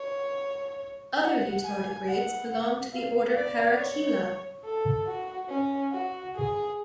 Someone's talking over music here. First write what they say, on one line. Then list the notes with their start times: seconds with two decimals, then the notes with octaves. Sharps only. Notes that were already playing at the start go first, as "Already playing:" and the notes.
Other eutardigrades belong to the order Parachaela.
Already playing: C#5
1.22 F#5
1.64 G#5
2.08 F#5
2.93 F5
3.36 D5
3.78 C#5
4.64 A4
5.06 F#4
5.49 C#4
5.92 F#4
6.35 G#4